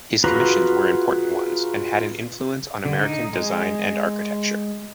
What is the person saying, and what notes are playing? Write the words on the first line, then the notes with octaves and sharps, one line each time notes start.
His commissions were important ones and had an influence on American design and architecture.
F4 F#4 G#4 B4 A#5
D3
D#4
G#3